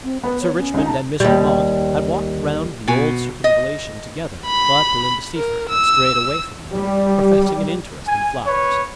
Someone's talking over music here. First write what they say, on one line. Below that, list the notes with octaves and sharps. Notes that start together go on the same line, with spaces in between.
Sir Richmond and Miss Grammont had walked round the old circumvallation together, but Belinda Seyffert had strayed away from them, professing an interest in flowers.
C4
B3 B4
C#5
C#4
C#2 D#4
A5 A#5
D#2 G3
B2 G#5
D#5
B5
A#4
E6
G3
G#5
B4 C#5